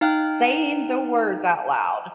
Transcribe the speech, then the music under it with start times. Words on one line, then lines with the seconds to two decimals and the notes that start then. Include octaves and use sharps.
saying the words out loud.
0.01 D#4 F5 G5 F6 F#6